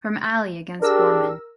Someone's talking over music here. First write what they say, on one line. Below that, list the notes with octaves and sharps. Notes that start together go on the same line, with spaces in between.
From Ali against Foreman.
D4 G4 G#4 A#4 E6